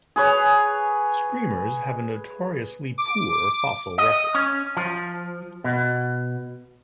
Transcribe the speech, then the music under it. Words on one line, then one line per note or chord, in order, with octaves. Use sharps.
Screamers have a notoriously poor fossil record.
G#4 B4 C#5
D6
D#5
C#4
F3
B2